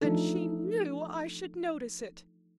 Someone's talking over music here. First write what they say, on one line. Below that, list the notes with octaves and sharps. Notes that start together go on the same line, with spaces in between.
And she knew I should notice it.
E3 F3 A3 D4 D#4 A4